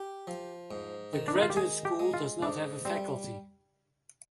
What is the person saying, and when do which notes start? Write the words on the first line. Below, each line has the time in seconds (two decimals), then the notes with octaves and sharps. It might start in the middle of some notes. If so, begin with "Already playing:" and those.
The Graduate School does not have a faculty.
Already playing: G4
0.27 F3
0.71 G#2
1.13 D#3
1.28 D4
1.36 D#4
1.42 F4
1.50 G4
1.56 G#3 G#4
1.85 G4
1.99 G#3
2.14 F4
2.42 G#2 D4
2.85 G3 C4